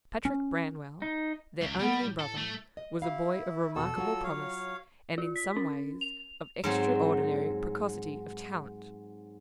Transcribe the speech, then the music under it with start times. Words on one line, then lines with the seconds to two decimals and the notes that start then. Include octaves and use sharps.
Patrick Branwell, their only brother, was a boy of remarkable promise, and, in some ways, of extraordinary precocity of talent.
0.25 C#4
1.02 D#4
1.61 C#2
1.80 G3 B3
2.01 A2
2.20 A4
2.37 A3
2.77 D#5
3.02 E4 F#4 F5
3.75 E2 B2 F#4 A4 E6
3.97 F#3 F4 F#4
4.24 C#5 F5
5.18 F4
5.36 B6
5.56 C#4
6.01 F7
6.64 G#2 F#3 C4